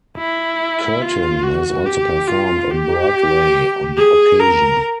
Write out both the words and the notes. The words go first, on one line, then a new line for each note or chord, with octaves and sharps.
Curtin has also performed on Broadway on occasion.
E4
F4
F#4
G4
F4
G4
G#4
A#4